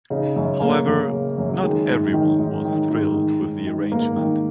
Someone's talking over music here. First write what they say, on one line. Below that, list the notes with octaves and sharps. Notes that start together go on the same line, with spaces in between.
However, not everyone was thrilled with the arrangement.
C#3 D#4
F#2
C#3 A#3
F#2
C#3
F#2
F#3
D#3 G#3
G#2
D#3
G#2
D#3
G#2
D#3
G#2
D#3
G#2 A#3
D#3